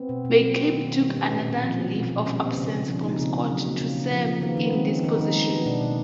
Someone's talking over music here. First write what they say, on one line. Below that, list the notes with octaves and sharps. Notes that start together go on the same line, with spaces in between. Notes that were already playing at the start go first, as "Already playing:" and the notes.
McCabe took another leave of absence from Scott to serve in this position.
Already playing: B3 C4
B2
B2
F#3 C4
A#3
D#3
D#3
G3 C#4
B3 C#4
A#2
A#2
F3 C4
A#3
B2 C4
B2
G3 C#4
B3 C4
C#3 C#4
C#3
F3 D4
A#3 D#4
C#3 C4
C#3
F#3
A#3
C#3
C#3
F3
A#3
D#3 B3
D#3 B3
G#3 C4
B3 C#4
D#3 D#4
D#3 D#4
G#3
B3
B2 D4
B2